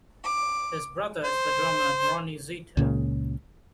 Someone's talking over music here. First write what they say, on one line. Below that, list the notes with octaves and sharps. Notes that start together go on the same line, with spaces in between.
His brother is the drummer Ronnie Zito.
D6
C5
C#2 A#2 C#3